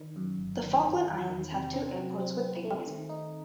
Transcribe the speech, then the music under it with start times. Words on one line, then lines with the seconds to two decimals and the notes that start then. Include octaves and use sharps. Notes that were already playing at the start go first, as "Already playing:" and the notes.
The Falkland Islands have two airports with paved runways.
Already playing: D#3
0.16 F#2
0.38 G1
0.62 D#3
0.84 D#3
1.06 E2
1.29 D#3
1.52 C3
1.74 C4
1.97 F#3
2.20 C4
2.42 C4
2.64 A3
2.87 D#3
3.09 D#4